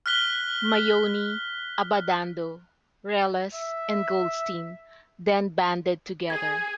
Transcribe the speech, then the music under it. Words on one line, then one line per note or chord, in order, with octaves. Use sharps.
Maione, Abbandando, Reles, and Goldstein then banded together.
F6 F#6 B6 G7
E5
G#4 G#6